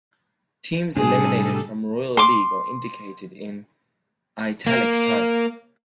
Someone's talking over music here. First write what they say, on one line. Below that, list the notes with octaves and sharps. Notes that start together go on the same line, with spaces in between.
Teams eliminated from Royal League are indicated in "italic type".
A2 C3 G3 D4 G#4 A4
C6 D6
A#3